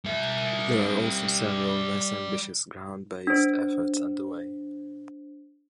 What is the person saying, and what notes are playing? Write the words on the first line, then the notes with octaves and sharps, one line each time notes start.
There are also several less ambitious ground-based efforts underway.
G3 E5
D4 C5